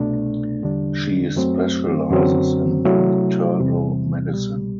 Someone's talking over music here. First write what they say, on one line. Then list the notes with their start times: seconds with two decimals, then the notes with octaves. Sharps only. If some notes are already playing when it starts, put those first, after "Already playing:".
She specializes in internal medicine.
Already playing: C2 B2 A3 D4
0.62 E2 D3 G3 D4
1.36 F#2 F#3 A3 C4
2.11 F#2 D3 F#3 C4
2.85 C3 F#3 A3 E4
3.60 E2 C3 E3 G3
4.33 C2 B2 G3